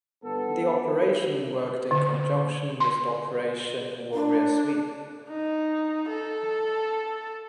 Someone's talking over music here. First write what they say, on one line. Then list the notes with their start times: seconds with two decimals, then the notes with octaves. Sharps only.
The Operation worked in conjunction with Operation Warrior Sweep.
0.24 G1 B3 A4
1.91 D3
2.80 C6
4.14 D4
5.30 D#4
6.09 A4